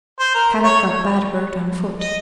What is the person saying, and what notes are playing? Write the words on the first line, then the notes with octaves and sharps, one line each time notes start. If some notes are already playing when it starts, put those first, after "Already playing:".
Kadok got bad hurt on foot.
C5
A#4
C#5
D#5